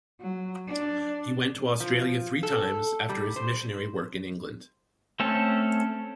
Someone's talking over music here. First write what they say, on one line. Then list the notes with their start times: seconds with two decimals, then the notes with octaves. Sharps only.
He went to Australia three times after his missionary work in England.
0.21 F#3
0.68 D4
1.80 F3
2.43 A4
3.09 G3
3.36 C5
5.20 A3 C4 C#4 A4